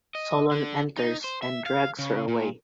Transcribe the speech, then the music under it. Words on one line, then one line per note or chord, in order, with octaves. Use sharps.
Solon enters and drags her away.
D#5
D3
D#4
C5
E5
F5
C#3
A#2